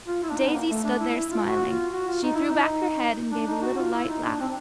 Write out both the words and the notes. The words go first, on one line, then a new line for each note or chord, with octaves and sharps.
Daisy stood there smiling; she threw back her head and gave a little, light laugh.
F4
E4
D4
D#4
B3
A#3
A3
D4
E4
E4
F4
F#4
F4
F#4
F4
D#4
E4
D#4
D4
D#4
F#4
F4
E4
D#4
D4
C4